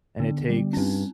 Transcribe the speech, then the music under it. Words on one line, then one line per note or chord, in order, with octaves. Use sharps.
and it takes
D3 B3
G3
C#4
G2 C4